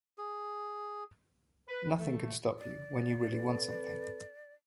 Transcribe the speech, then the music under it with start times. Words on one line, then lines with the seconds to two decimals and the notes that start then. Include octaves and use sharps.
Nothing can stop you when you really want something.
0.18 G#4
1.68 B4
1.99 A3
2.59 D5
3.32 C4 A4 B4